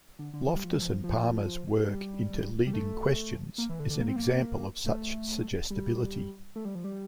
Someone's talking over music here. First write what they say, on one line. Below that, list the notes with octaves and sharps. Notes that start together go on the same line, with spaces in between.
Loftus and Palmer's work into leading questions is an example of such suggestibility.
D3
D3
F3
G3
F3
G3
F3
F3
G3
G3
A3
A#3
E3
D3
D3
A#3
C4
A#3
A3
G3
A3
G3
F3
G3